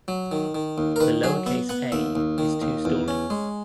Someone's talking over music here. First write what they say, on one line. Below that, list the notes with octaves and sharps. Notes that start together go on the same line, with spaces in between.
The lowercase a is two-storey.
F#3
D#3
D#3
D#2
A#4
D#3 B4
F#3 G#4
B3 E5
B3 F#5
D#2 E5
D#2
D#3
D#2
E2
C#4
G#3